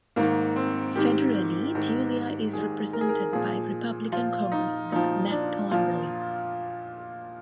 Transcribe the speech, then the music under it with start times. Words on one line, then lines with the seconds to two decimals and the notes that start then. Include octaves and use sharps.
Federally, Tulia is represented by Republican Congressman Mac Thornberry.
0.16 G#2 D#3 A#3
0.56 C4
0.96 G#2 D#3 G4
1.75 G#2 D#3
2.54 G#2 D#3 G#4
2.93 A#4
3.01 G#4
3.09 A#4
3.33 A#2 F3 G#4
4.12 A#2 F3 F4
4.52 D#4
4.92 A#2 F3 D#4
5.31 D4
5.71 A#2 F3 F4